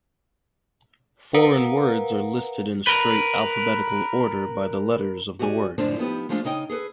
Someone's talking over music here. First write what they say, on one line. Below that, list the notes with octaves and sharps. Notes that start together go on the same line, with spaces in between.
Foreign words are listed in straight alphabetical order by the letters of the word.
A#4 B4 F5 F#5 A#5
A#4 B4
F#4 G4 D5 D#5 G#5
F#2 A2 D3 F3 C4 D4
F3 B3 D#4 G4 B4
F3 G#3 A3 D4 F4
C#3 D#4 D#5 G5
G#4 A4 B4